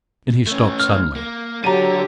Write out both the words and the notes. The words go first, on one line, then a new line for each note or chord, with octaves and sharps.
Then he stopped suddenly.
A3 C#4
F6
A#3
F#3 D4 G4 A4 A#5 D#7